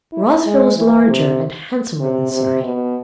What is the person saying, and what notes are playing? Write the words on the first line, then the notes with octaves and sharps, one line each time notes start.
Rosville was larger and handsomer than Surrey.
E4
G#3
E3
C3
C3
C3
B2